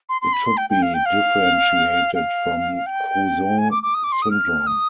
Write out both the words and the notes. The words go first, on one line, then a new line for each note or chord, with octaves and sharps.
It should be differentiated from Crouzon syndrome.
C6
C6
B5
C6
G5
G5
F5
G5
F5
F5
G5
G#5
D6
D6
D#6
D6
C6
D#6
F6
D#6